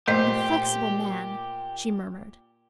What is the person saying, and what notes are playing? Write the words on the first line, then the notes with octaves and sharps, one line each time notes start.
"Inflexible man!" she murmured.
A#2 A3 G4 C5 D#5